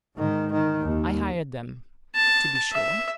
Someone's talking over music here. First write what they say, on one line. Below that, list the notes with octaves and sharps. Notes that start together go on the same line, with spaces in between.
I hired them, to be sure.
G#2 D#3
D#3
D#2
A5
E5